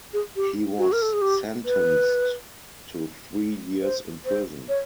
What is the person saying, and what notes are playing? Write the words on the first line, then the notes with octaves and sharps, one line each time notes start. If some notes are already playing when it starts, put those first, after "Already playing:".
He was sentenced to three years in prison.
G#4
G4
F#4
A#4
A4
G#4
G4
B4
C5
C5
C#5